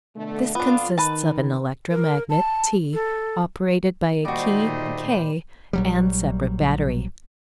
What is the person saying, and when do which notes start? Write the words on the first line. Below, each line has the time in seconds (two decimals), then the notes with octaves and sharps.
This consists of an electromagnet, T, operated by a key, K, and separate battery.
0.15 B2 D3 A3
0.55 F2 B3 D4 F4
0.98 D#3 B4 A5
1.90 A#4
2.30 A5
2.93 A4
4.25 A#2 D#3 G3 A3 F#4 C5 D5 D#5
5.73 A#1 F#3 G3